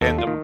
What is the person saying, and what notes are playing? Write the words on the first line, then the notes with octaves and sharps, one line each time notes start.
and, um
D#2 A4
F4
D#3